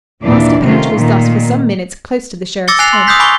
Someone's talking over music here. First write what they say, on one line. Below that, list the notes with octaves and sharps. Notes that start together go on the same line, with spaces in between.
Master Patch was thus for some minutes close to the Sheriff's tent.
D#2 A#2 E3 D4 D5
C3 D#3 A3 C#4 F4
A#2 D#3
D6 E6 A6 A#6 C#7 G7
G#5 F#6 A6 C7 F7
C6
D#6 E6 F#6 G6 B6 C7
G#5 B5 C#6 D6 G7